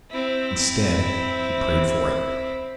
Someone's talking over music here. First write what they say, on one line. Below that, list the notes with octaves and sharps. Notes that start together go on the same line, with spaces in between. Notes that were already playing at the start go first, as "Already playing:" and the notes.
Instead he prayed for it.
C4 E4